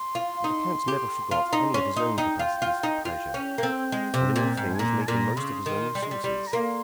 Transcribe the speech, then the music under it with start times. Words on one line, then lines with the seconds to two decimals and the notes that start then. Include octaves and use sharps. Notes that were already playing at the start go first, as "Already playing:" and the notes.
But the count never forgot any of his own capacities for pleasure, and in all things made the most of his own resources.
Already playing: C6
0.15 F4
0.44 D#4
0.88 G4
1.31 F4 C6
1.53 D#4
1.74 C#4
1.96 D#4
2.18 D#4 G5
2.39 F4
2.62 F4
2.83 D#4
3.05 F4 G5
3.34 C#4
3.58 A#3
3.63 C4
3.92 G#3
4.14 C3
4.36 A#2
4.57 G#2
4.73 G#5
4.79 A#2 A#5
5.02 G#5
5.07 A#2 A#5
5.37 C#3 C6
5.66 D#3
5.95 G3
6.03 G#3
6.11 G3
6.24 G3
6.47 A#5
6.53 A#3 C6